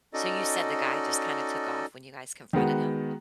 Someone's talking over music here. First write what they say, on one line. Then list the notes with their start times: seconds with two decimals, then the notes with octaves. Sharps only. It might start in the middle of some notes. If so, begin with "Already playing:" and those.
So you said the guy just kinda took off when you guys confronted him?
0.14 C#4 D#4 F#4 A4 D5 D#5
2.53 D#3 G#3 B3 F#4